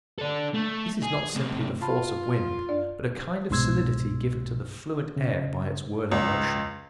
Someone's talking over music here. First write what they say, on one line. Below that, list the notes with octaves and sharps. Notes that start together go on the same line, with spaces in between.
This is not simply the force of wind, but a kind of solidity given to the fluent air by its whirling motion.
D4 A4
A3
G#4
A2 C3
F4 A5 B5
F#2 D4 D5
C2 G#2 B2 C6 E6 G#6
C#3
C#2